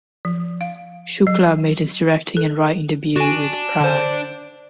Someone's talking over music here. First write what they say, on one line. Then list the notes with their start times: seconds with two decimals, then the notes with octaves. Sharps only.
Shukla made his directing and writing debut with "Prague".
0.25 F3
0.61 F5
1.27 F#3
2.37 A4
3.16 D4 F#4 G#5
3.80 D3 C5